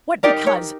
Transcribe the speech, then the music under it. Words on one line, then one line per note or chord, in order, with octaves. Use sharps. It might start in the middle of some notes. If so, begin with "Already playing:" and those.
What because?
D#4 G4 A#4 D5
C#5